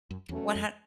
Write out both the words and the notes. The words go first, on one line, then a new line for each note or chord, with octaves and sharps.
One hun
F#2
E2 B2 F#3 A3 C#4
F2